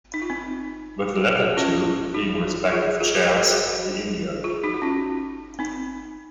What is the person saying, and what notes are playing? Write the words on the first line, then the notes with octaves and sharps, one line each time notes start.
With the latter two being respective Chairs of the India League.
D#4
F4
C4 D#4
C#4 F4
D#4 F#4
F4 G#4
F4 G#4
F#4 A#4
A#4
G#4
F#4 A#4
F4 G#4
D#4 F#4
F#4
C#4 F4
C4 D#4